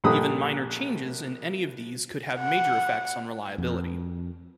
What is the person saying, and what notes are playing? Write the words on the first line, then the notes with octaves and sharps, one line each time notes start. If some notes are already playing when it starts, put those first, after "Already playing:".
Even minor changes in any of these could have major effects on reliability.
A#1 A#2 G3 A4 B5 D#6
F#5
F2